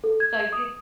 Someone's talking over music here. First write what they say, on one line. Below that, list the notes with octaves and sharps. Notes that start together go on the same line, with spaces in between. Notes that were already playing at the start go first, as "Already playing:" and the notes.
So, you
A4
G#6
D#6